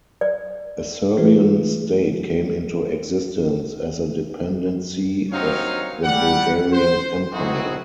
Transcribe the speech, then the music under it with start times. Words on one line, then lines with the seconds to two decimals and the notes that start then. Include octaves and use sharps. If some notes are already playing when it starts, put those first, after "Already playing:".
A Serbian state came into existence as a dependency of the Bulgarian Empire.
0.21 D5
1.17 E3 A3 F4 G#4 B4
5.32 G2 F#3 C4 D#4 C#5 F5
6.03 G3 F#5
6.72 C5
7.33 C4 D#4 E4 F#4 G#4